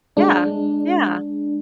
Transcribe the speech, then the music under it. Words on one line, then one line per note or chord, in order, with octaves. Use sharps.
Yeah. Yeah.
G#3 D4